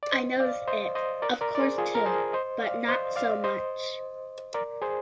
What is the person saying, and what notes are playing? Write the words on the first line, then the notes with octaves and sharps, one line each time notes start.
I notice it of course too, but not so much.
D5
C5 D#5
D5 F5
C5 D#5
C5 D#5
A#4 D5
A#4 D5
D5
G#4 C5
F4 G#4
A#4
G#4 C5
C5 D#5
D5 F5
C5 D#5
D5 F5
C5 D#5
A#4 D5
G#4 C5